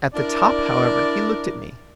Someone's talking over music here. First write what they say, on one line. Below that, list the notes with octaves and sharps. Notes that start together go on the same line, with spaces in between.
At the top, however, he looked at me.
D4 E4 A#4 D5